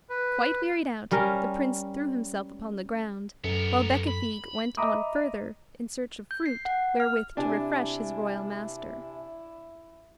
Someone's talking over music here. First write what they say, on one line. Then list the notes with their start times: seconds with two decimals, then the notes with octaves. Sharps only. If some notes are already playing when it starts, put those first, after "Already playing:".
Quite wearied out, the Prince threw himself upon the ground, while Becafigue went on further in search of fruit wherewith to refresh his royal master.
0.10 B4
1.11 G3 C#4 A#4
3.44 F#2 B3 A4 A#4
4.08 B5
4.77 D#5 E5 A#5 B5 D6 D#6
6.31 G6
6.46 C7
6.65 F#5
7.00 F6
7.37 C3 D4 E4 G#5 A5